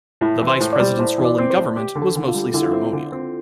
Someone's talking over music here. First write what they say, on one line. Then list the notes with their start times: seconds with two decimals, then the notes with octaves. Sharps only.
The Vice-President's role in government was mostly ceremonial.
0.21 A2 E4
0.42 E3
0.47 C5
0.60 A2
0.73 D5
0.80 G3
0.99 A2 C5
1.18 E3
1.25 D5
1.38 C4
1.50 C5
1.57 A2
1.76 G4
1.95 D3
2.02 A4
2.15 D3
2.28 F4
2.34 G3
2.54 D3 E4
2.62 F4
2.71 C4 E4
2.93 D3
3.12 C4